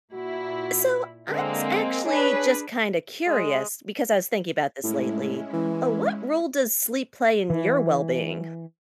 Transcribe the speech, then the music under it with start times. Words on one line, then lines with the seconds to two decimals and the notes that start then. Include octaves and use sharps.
So I was actually just kinda curious, because I was thinking about this lately. Uh, what role does sleep play in your well-being?
0.13 A#2 E4 F#4
1.29 D3 G#3 A#3 C4
2.06 D4 G#4 B4 C#5
3.27 G#3
4.84 A2 G#3 C#4 E4
5.53 E3
7.50 E3